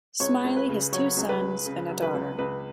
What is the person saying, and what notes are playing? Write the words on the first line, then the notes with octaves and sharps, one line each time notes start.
Smiley has two sons and a daughter.
C#2 C#5
C#2
B4
C#3
F#3 C#5
C#2
B4
C#2
C#3
F#3
B4
C#2
C#2 B4